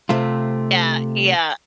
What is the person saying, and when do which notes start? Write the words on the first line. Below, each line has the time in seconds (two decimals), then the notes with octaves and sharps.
Yeah, yeah.
0.09 C3 A3 C4 F4